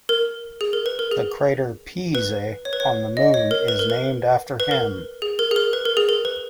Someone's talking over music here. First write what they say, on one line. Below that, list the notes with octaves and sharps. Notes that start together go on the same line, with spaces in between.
The crater Pease on the Moon is named after him.
A#4
G#4
A#4
B4
A#4
G#4
B4
C#5
B4
C#5
D#5
C#5
A#4
B4
A#4
B4
B4
A#4
G#4
A#4
G#4
A#4
B4
A#4
G#4
A#4
B4